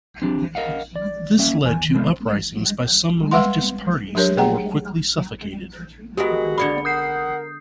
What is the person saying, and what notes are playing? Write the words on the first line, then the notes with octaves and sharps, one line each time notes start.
This led to uprisings by some leftist parties that were quickly suffocated.
C4 D4 G4
A#4 D#5 F5 F#5
D5
A#3 C#4 E5
E2 G#5
C3 G#3 A3 B3 C4
G3 G#3 B4 E5 F#5 C6
F#3 D4 G4 A#4 C#5
A3 G#4 F#5 G5 A#5
G#3 B3 F#4 G4 A#4 D#5
D3 C#5 D5 F5 B5 C#7
A#4 F#5 D#6 G6 C7